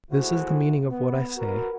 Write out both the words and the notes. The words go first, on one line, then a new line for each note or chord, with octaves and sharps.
This is the meaning of what I say.
G#1 A3 E4 F#4 G#4 C5
B3
F#4 A#4 B4